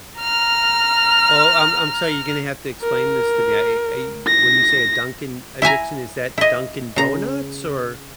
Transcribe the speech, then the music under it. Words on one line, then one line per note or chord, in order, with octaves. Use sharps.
Oh, I'm I'm sorry, you're gonna have to explain this to me, I I when you say a "Dunkin' addiction," is that Dunkin' Donuts or
A#5 F6
A#4
A#6
E4 E5 G#5 A#5
E4 D#5
C#3 A#5